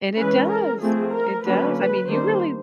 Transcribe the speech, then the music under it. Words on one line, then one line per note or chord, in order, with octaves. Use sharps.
And it does, it does I mean, you really
E3 G#3 C#4 B4
A#4
F3 A3 C4 G#4
A#4
D3 F#3 A#3 C#4 B4
B4
D#3 G3 A#3 D4 C5